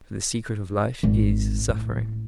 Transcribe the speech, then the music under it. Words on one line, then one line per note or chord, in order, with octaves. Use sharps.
For the secret of life is suffering.
G#1
A1